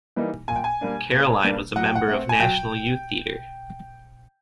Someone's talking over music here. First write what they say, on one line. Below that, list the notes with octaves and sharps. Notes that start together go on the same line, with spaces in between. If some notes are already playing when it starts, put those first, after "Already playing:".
Caroline was a member of National Youth Theatre.
E3 G3 A#3 D#4
A#2 G#5
G5
G#5
G3 A#3 D4
A#2
G3 A#3 D4
F#3 F#5
G5
F#5
A3 C4
G#5
F#3 G5